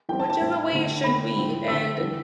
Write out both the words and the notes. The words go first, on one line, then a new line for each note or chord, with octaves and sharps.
Which is the way it should be, and
E3 G3 C4 G5
A5
A5
A2 G3 C4
D3 A3 C4
D3 A3 C4 B5
A2 F3 C4
D3 A3 C4 E6
E3 G3 C4